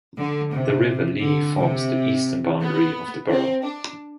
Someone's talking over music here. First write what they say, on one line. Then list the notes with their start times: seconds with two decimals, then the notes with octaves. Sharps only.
The River Lee forms the eastern boundary of the borough.
0.18 D3
0.53 C3
1.22 D3
1.57 C3
2.61 B3
3.30 C4
3.65 D4